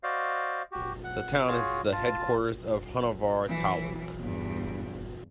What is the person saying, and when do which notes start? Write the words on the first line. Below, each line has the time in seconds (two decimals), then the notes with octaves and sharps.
The town is the headquarters of Honnavar Taluk.
0.03 F#4 C5 D5 D#5 F5
0.72 F#4 G4
1.04 F#5
1.48 F4 F#4 G#4 C#5
1.93 F4 A5
3.48 E3 F#3
4.21 E2 G2